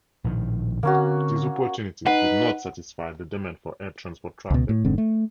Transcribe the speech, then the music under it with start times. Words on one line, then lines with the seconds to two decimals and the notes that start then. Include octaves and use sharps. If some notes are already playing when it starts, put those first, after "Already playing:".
These opportunities did not satisfy the demand for air transport traffic.
0.24 A#1 A2 D#3
0.83 D3 A#3 C4 C#4 F#4
2.07 D#4 B4 F#5
4.50 C#2 B2
4.69 A2
4.85 F1 G#2 D3 C4
4.98 A3